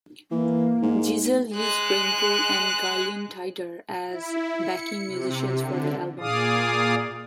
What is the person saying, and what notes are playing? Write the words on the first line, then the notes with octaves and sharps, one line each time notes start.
Gessle used Brainpool and Gyllene Tider as backing musicians for the album.
E3 A#3
G#2
G#3 F#6
E4
C#7
C3
D3
A#2 G#4 D5 F5 D#6